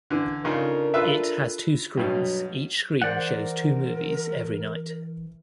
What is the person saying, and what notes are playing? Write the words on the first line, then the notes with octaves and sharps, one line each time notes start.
It has two screens; each screen shows two movies every night.
D3 E3
C#3 D4 D#4 F4 A4 A#4
F4 B4 E5
G2 B2 F#3
E3 A#4 C5 D5 F#5